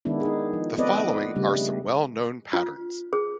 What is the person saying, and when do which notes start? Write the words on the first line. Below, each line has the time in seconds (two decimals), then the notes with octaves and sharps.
The following are some well known patterns.
0.05 D#3 G#3 B3 D4 E4
0.21 D#4 G#4
0.53 F3
0.78 B3 C4 A4 B4 D5 D#5
1.35 C#3 G3 A3 D4
2.53 F4
3.13 G#4